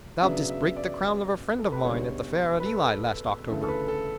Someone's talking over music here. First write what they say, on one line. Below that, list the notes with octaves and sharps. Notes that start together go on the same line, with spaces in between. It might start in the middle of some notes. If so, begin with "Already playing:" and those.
Thou didst break the crown of a friend of mine at the fair at Ely last October.
C#3 F#3 B3 D4 E5
E5
D5
A4
B4
C#2 B2 G3 D4 C#5
B4
A4
D2 C#3 E3 A3 A4
A4
B4
A4